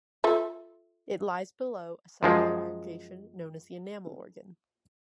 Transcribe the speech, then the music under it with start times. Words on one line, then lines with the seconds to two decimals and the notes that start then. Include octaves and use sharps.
It lies below a cellular aggregation known as the enamel organ.
0.24 F4 A4 E5
2.23 F#2 F3 G#3